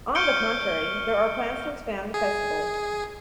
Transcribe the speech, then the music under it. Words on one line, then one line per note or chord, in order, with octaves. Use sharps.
On the contrary, there are plans to expand the festival.
C#6 F6 G6 C#7 D7 G7
G#4